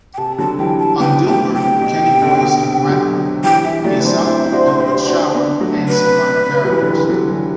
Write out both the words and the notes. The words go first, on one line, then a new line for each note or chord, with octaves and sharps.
On "Dilbert", Kenny voiced Ratbert, Asok, Dilbert's shower, and some minor characters.
G5
C3 A5
D3 F#3 A5
E3 G3 G5
A5
G3 B3 G5
F#3 A3 G5
C3 G5
B2
C3
B2 D3
B2
C3
D3 F#3
E3 G3 G5
E3 G3 E5
F#3 A3 D5
B4
B3 D4 C5
C4 E4
E4
D4 F#4
E4 G4
G4
D4 F#4
B3 D4
F#3 A3
B4
F#3
E3 G3
D3
C3 E3
D3 F#3
E3 G3